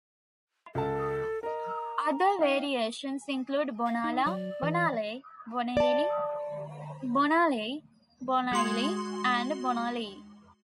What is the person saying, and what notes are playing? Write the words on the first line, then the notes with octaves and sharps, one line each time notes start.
Other variations include "Bonala", "Bonalay", "Boneyley", "Bonnalay", "Bonailie" and "Bonaley".
C#2 A4 A5
A#4 D#5 A#5
D#4 F5 G5
F5
D#4
F#3 D5
E3
D5 A5
G#3 F#4 C6